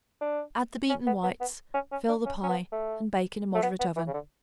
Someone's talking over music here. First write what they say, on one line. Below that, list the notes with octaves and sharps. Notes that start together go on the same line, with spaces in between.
Add the beaten whites; fill the pie and bake in a moderate oven.
D4
C#4
B3
B3
B3
C#4
C#4
D4
C#4
C#4
B3
A3
A3
B3
B3
E3
C#3
D3